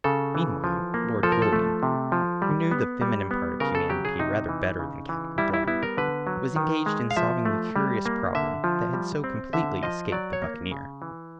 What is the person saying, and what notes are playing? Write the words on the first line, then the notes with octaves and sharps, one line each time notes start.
Meanwhile, Lord Julian, who knew the feminine part of humanity rather better than Captain Blood, was engaged in solving the curious problem that had so completely escaped the buccaneer.
C#3 A4
E3
F3
A#3
F3 A4
A#4
A4
A3
C3
F3
G3
B3
G3
B3
C#3 A#4
A4
F#3 G4
G#4
C3 D#4
E3
C#3
E3
G3 E4
E4
B3 E4
A#4
D3 B4
F#3
D#3
G#3
F5
F3 E5
A3
G3
A#3
D3 E5
F3
G3
C4
D3 E5
F3 D#5
F#3 D5
C#5
A#3
C#3
E3